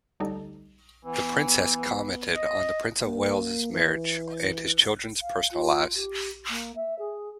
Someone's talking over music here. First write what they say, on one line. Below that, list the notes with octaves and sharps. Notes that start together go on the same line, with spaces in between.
The Princess commented on the Prince of Wales' marriages and his children's personal lives.
D2 G3 D#4 A4
E3 B3
D#5
A#3
E3
F5
F4
G4
A#3
E5
G#4